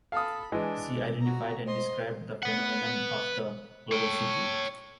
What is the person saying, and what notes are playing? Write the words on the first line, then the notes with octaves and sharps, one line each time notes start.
She identified and described the phenomenon of the "global city".
A4 F5 B5 D#6
E3 G#3 D4
F#4 A#5
C5 D#5 C6
B4 F#5
C#5 G5